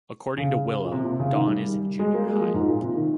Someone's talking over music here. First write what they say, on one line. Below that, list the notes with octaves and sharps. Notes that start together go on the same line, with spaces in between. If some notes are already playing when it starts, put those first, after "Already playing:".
According to Willow, Dawn is in junior high.
C#3
A#2
C3
C3
C#3
D#3
G3
G#3
A#3
G#3
F3
G#2
A#2
C3
D#3